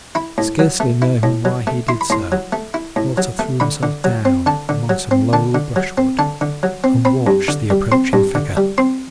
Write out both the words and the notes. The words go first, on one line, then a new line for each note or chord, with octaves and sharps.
Scarcely knowing why he did so, Walter threw himself down among some low brushwood and watched the approaching figure.
E4 B5
A2
F#3
A3
E4
A2
F#3
A3
E4 C6
B5
A2 C6
F#3
A3
E4
A2
F#3
A3
D3 B5
D3
F#3
C4
D3 A5
D3
F#3
C4
D3 A5
D3
F#3
C4
D3 A5
D3
F#3
C4
C4 B5
G2
D3
G3
C4 C6
G2
D3
G3
C4 C6